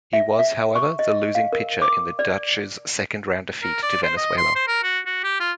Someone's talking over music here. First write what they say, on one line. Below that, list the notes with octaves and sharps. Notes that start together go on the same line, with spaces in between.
He was, however, the losing pitcher in the Dutch's second-round defeat to Venezuela.
E5
E5
C#6
D#5
F5
A#4
D6
D5
A#4
D5
C5
D#5
C6
C5
A#4
F#4
F#4
G4
F4